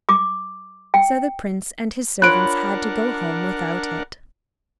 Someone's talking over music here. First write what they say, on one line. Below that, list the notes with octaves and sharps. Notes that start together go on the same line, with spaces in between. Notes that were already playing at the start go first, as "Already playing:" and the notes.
So the prince and his servants had to go home without it.
D6
G5
D4 F4 A#4 C#5 F#5 B5 F#6 D7